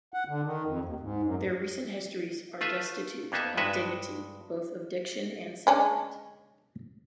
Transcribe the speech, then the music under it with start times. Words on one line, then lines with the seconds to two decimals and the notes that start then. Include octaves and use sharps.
Their recent histories are destitute of dignity, both of diction and sentiment.
0.14 F#5
0.28 D3
0.44 D#3
0.66 F2
0.85 D#2
1.00 G#2
1.23 F#2
2.61 A3 F4 B4 E5
3.32 F2 A#3 B3 D#4 E5
3.57 G2 G#3 F#4 B4 E5
5.67 G#3 C#4 D4